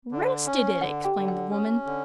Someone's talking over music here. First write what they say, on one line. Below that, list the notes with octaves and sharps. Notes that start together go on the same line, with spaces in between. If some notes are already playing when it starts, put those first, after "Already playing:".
'Roasted it!' explained the woman.
D3
C#4
D3 F#5
G4 G5
D3
F#5
C#4
D3